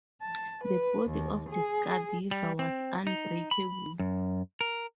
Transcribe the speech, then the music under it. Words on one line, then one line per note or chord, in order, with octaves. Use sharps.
The body of the Gandiva was unbreakable.
A5
B4
D#2
G#4
G3
C4
D#4
B5
F#2
A#4